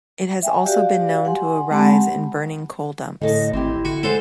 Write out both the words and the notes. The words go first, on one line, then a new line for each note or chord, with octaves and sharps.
It has also been known to arise in burning coal dumps.
E5 G5 G#5
F#4 G4 D5 F5
F#5 G#5 C6
G#3 C4 G4 F#5 A5 B5
A2 D3 A4 D#5 A5
G#1 C4 E4 G4
D3 F#4
G#3 B3 A4 C5